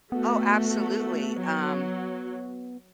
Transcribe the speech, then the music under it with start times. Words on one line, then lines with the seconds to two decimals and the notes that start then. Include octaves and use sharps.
Oh, absolutely, um
0.12 A3 B3 F#4
1.38 F#3